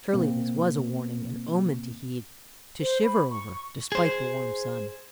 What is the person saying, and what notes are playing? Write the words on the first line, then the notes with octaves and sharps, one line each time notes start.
Surely this was a warning, an omen to heed--to shiver over, despite the warm sun!
B2 A#3 C4
C5
B5
C#6
G#4 C5